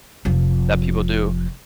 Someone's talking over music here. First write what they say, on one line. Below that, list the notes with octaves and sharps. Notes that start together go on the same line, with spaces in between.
that people do.
F1 F3